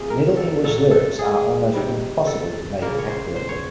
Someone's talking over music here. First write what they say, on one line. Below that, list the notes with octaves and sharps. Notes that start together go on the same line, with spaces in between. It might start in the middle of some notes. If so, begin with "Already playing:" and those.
Middle English Lyrics are almost impossible to date accurately.
Already playing: C3 F3 A#3 G#4
A#4
A4
A#2 F#3 A3 A4
A4
G#4
C3 D#3 G3
A4
C#3 F3 A#3 A#4
C#5
C5
C5
C#5